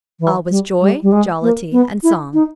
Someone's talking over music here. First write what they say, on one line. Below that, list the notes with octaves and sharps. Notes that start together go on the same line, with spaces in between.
All was joy, jollity, and song.
E3
G3
G3
G3
G#3
A#3
B3
E4
D#4